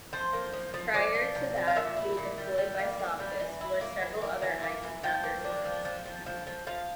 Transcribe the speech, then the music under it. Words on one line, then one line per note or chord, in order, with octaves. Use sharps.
Prior to that, he was employed by Softdisk, where several other id founders worked.
F3 C5
A#3
F3
F3
F3 D5
F3
C3
F3
F5
A#2 E5
E4
A#2
G3
G3
A#3
A#3
G3
E3
E4
A#3
E3
A#3
E3
A#3
E3
F3 G5
A#3
D4
F3
F3
F3
F3
F3
F3 F5